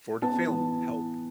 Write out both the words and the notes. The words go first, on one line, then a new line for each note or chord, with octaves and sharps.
For the film Help!
B3 A5
E3